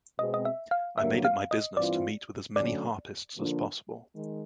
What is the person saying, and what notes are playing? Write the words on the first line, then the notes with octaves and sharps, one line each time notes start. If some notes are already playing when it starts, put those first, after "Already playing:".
I made it my business to meet with as many harpists as possible.
B2 G#3 C4 D#5
D#5
E5
F5
G2 D3 F#3 A#3 E5
F5
D#5
G2 E3 G3 C4 F4 D5
D3 F#3 A3 C#4 D5
D3 F3 A#3 D4
D#3 G#3